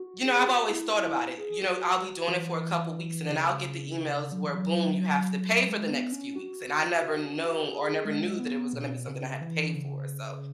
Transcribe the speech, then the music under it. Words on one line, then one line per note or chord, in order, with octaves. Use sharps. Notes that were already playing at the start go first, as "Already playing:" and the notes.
you know, I've always thought about it, you know, I'll be doing it for a couple weeks and then I'll get the emails where boom, you have to pay for the next few weeks and I never know or never knew that it was gonna be something I had to pay for, so
Already playing: F#4
G#4
F#4
E4
F#4
E4
G#4
F#4
E3
E3
E3
C#3
F#3
E3
F#3
G#3
B3
C#4
F#4
G#4
G#3
B3
B2
C#3
E3
C#3